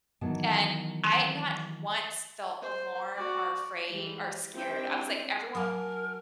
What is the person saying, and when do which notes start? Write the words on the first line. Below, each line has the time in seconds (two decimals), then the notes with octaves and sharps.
and I not once felt alarm or afraid or scared, I was like, everyone
0.21 D#3 E3 F#3 B3 A5
2.62 C5
3.14 F#4 D5
3.87 E3 G3 G#3
4.52 C4 D4 E4 G4 G5
5.55 F#3 A#4 G#5 A5